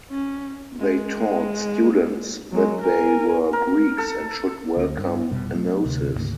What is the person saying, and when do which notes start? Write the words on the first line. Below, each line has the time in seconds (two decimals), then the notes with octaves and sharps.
They taught students that they were Greeks and should welcome "enosis".
0.10 C#4
0.79 G#3
2.52 F#3 G#3
2.81 A#4 G#5
3.53 A#4
3.98 A4
4.77 D2 A#3
4.98 G2
5.31 F1 B2 G3
5.55 F#3 A3 B3
5.85 D2 C3
6.16 D2 G#2 C#3 A#3